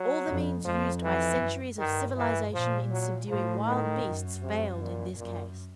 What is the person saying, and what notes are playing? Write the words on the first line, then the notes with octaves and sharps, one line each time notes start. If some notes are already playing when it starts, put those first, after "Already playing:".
All the means used by centuries of civilization in subduing wild beasts failed in this case.
Already playing: F#3
F2
F2 F3
E3
F#2
G2 D#3
E3
A#2 F3
F#3
A2 F3
D#3
F#2
C3
A#2
F#2 A#2